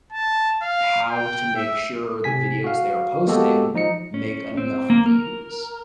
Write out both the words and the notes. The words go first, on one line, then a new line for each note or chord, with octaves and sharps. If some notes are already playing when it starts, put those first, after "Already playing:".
how to make sure the videos they're posting make enough views,
A5
F5
G5
E5
C3 G#5 B6
F#4 F5
G#3 A#3 B3 F#4 G4 A4
F3 D#4 D#5 C#7
C#4
C4
A#3
A#4